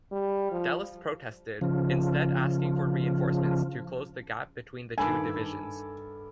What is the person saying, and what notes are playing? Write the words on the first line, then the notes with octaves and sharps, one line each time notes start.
Dallas protested, instead asking for reinforcements to close the gap between the two divisions.
G3
F3
C#3 F3
G2 D#3 A4 G#5 B5 D6